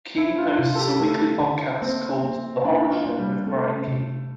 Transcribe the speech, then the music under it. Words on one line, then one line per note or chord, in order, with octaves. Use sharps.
Keene hosts a weekly podcast called "The Horror Show With Brian Keene".
D4 E4
F4
C3 F4
A4
G4
A3 A4
D3
A#3 C4
A#3
A#3 D4
F4
A#3
G3
A3 C4
C3